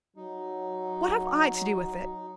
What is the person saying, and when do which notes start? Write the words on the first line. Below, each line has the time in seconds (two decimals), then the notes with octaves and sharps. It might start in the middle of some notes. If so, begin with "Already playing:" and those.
What have I to do with it?
0.16 F#3 D#4